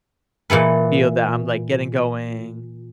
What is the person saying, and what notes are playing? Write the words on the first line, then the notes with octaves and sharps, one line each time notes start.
feel that I'm, like, getting going,
A#2 E3 A4 B4